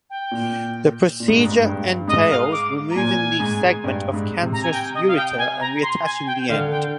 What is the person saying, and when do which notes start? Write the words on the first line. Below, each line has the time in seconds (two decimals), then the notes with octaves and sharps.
The procedure entails removing the segment of cancerous ureter and reattaching the end.
0.10 G5
0.31 A#2
1.20 A#2
1.28 G#2
1.36 G2
1.45 G#2
1.64 G2
2.08 G#2 D#5
2.30 F5
2.52 D6
2.91 A#5
2.95 A#2 G#5
3.40 G#2
3.84 G2
4.13 G#2
4.42 C3
4.53 A#5
4.63 G#5
4.72 G5
4.94 D#5
5.07 F5
5.16 G5
5.38 G#5
5.61 A#5
5.83 C6
6.05 G#5
6.26 G5
6.42 G5
6.49 D3 F5
6.71 G5